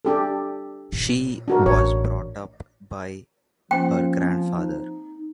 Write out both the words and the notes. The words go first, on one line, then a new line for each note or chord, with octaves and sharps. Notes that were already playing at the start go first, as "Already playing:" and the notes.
She was brought up by her grandfather.
D4 G4 A4
A#2
D4 F#4 A#4
A1 C#5
F3 A#3 C#4 C5 G5
C4
D#4